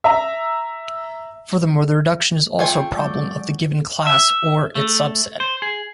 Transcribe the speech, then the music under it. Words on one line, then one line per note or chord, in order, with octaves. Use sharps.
Furthermore, the reduction is also a problem of the given class, or its subset.
E5 A#5
A3 F4 G5 G#5
F#3 G#3 D5 G6
E5
A3
C5
G#4